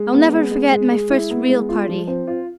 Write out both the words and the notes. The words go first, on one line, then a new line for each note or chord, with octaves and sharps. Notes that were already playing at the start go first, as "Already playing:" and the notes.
I'll never forget my first real party.
Already playing: G#3
B3
G#3
G#3
G#3
G#3
E4
B3
G#3
F4
F3
C4
F4